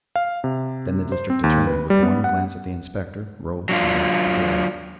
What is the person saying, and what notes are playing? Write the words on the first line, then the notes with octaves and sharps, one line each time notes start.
Then the district attorney, with one glance at the inspector, rose and locked the door.
F5
C3
C5
C4
D#2
B4
G3
B3
F#5
F#3 D4 F4